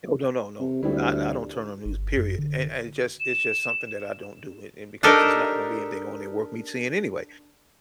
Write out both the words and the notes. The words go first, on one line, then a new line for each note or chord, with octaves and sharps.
Oh, no, no, no I I don't turn on news, period and and it just it's just something that I don't do and and because there's not gonna be anything on there worth me seeing anyway.
C3
D2 G3 E4
G1
F#2
D3
E7
D4 D#4 G4 A4 A#4